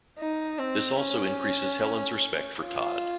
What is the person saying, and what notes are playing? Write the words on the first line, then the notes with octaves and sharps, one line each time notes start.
This also increases Helen's respect for Tod.
D#4
C4
C#4
F4